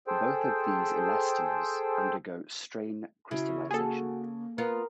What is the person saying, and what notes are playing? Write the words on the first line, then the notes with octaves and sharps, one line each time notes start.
Both of these elastomers undergo strain crystallization.
G#4 A4 C5 G5
C#3 E4 F#4
A#3 F#4 G#4 A4
B3 F4 A#4